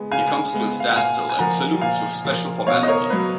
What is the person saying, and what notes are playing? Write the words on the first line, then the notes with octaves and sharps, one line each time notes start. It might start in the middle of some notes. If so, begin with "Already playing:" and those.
He comes to a standstill and salutes with special formality.
Already playing: G#3 B3
C#3 F5 G#5
G#3 B3
F5
F#5
A#2 F5 G#5
G#5
F3 A#3 F#5 A#5
A#2 F5 G#5
F3 A#3
B2 C#5 F5
D#5
A#4 C#5
F#3 B3 B4